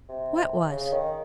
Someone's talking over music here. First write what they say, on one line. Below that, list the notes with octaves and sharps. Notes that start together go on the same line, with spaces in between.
"What was?"
C3
C#3
D#3